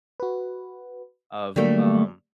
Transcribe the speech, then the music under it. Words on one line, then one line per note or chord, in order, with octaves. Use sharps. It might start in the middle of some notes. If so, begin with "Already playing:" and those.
of, um,
F#4 B4
D3 F#3 G3 A3 A#3